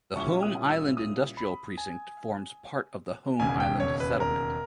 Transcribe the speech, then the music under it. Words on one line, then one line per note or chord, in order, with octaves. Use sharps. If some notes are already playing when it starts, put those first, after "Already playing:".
The Home Island Industrial Precinct forms part of the Home Island settlement.
A#2 G3 C#4 E4 C#6
D#6
E6
D#6
B5
G#5
E1 D#2 C#3 G#5
G5
C#5
B4
A#4